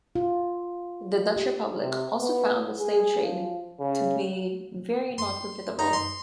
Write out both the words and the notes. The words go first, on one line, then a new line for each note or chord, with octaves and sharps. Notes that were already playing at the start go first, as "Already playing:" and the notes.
The Dutch Republic also found the slave trade to be very not profitable.
F4
G4
C3
B3
G#4
F3
C#3
C6
D#4
C6